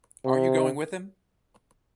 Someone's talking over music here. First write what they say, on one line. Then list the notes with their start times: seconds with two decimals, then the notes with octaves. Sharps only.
Aren't you going with him?
0.25 C3